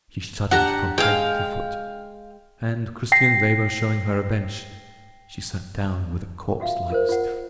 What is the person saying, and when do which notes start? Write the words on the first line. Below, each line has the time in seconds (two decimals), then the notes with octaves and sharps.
She shuddered from head to foot, and Christian Weber showing her a bench, she sat down with a corpse-like stiffness.
0.51 D4 G4 F#5 A#5
0.98 G#3 F5 G5
3.12 G5 A#6 C7
6.60 F4 F#4 E5 F5
6.90 F4 A#4 C5
7.09 F4 F#5